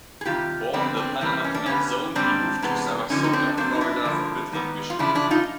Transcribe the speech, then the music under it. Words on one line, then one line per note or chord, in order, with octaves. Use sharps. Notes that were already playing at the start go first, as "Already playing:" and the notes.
Born in the Panama Canal Zone, he moved to Sarasota, Florida from Midland, Michigan.
G#4
C3 D#3 G3 F4 G4
F2 D3 G3 B3 C4 D4
C4 D4
C3 E3 G3 A#3 C4
C#4
D4
G2 D3 G3 B3 C#4
G#2 D#3 G3 C4 D4
C3 E3 G#3 B3
F#2 D3 F3 C#4 D#4
D#4
C4 D4
C3 D#3 F#3 A#3 C4 D4
D#4
D4 E4
G2 D3 F3 A#3
G#2 D#3 G3 B3
F4
E2 C#3 F3 D4 E4
D4 E4
D#4 F4